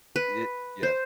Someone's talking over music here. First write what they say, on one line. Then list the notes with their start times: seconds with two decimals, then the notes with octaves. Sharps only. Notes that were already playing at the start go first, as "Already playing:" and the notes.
Ye yeah.
0.16 B4
0.83 C5